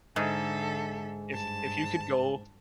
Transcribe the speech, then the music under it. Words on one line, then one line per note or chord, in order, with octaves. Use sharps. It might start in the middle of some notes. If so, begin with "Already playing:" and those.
if if you could go
G#2 D3 A4 E5
G2 A5